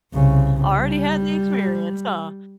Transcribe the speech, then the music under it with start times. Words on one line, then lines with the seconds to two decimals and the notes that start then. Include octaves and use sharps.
Already had the experience, huh?
0.14 C2 C#3
0.75 G3